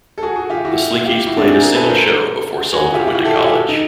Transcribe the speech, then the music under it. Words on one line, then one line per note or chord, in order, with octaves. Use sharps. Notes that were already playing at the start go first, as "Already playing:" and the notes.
The Slinkees played a single show before Sullivan went to college.
A4
F#4 G#4
F#4 G#4
F4 G4
E4 F#4
F4 G4
E4 F#4
C4 D4
F#4 G#4
G#4 A#4
A4 B4
A#4 C5
F#4 G#4
F4 G4
F4
E4 F#4
G4 A4
F#4 G#4
F4 G4
D#4